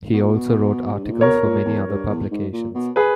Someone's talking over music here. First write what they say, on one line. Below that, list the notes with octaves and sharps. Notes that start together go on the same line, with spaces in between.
He also wrote articles for many other publications.
B2
A#2
B2
G2
G#2
A#2
B2 A#4 C#5
A#2
E2
G2
E2
G#2
A#2
B2
G#4 B4